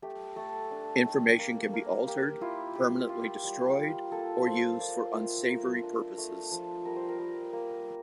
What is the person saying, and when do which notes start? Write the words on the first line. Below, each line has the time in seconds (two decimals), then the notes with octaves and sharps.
Information can be altered, permanently destroyed or used for unsavory purposes.
0.02 A3 G4
0.36 A3 A4
0.71 D4
1.05 A3
1.38 A#3
1.73 A#3
2.07 A#3 G4
2.41 E4 F4
2.75 F4 G4
3.09 F4
3.44 G3
3.78 F4
4.12 A#3 A4
4.46 F4 C5
4.80 A#3 D5
5.15 F4 E5
5.48 A3 A#4
5.83 D4
6.17 A3
6.52 F3
6.85 G3 A#4
6.96 C5
7.09 A#4
7.19 G3
7.53 A#3